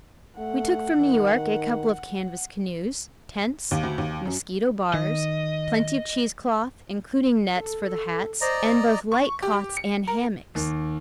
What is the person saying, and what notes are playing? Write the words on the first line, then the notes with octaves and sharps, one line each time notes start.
We took from New York a couple of canvas canoes, tents, mosquito-bars, plenty of cheesecloth, including nets for the hats, and both light cots and hammocks.
A3 F#5
D#3
D#2
D2
D#2
F#2
D#3 D#5
A4
C5 D5 D#5 A#5
C#6
G4
C#7
A#4
D#2